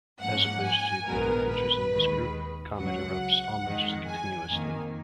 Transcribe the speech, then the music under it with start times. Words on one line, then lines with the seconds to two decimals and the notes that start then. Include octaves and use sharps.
As opposed to the other features in this group, Comet erupts almost continuously.
0.21 G#2 F3 A#3 C#4 F#5
0.64 G#5
1.07 A#1 G#2 D#3 G#3 B3 A#4
1.49 B4
1.92 D#2 D#3 G#3
2.78 C#2 C#3 F#3 F#5
3.63 F2 D#3 G#3
4.06 G#5
4.49 F2 D#3 A#3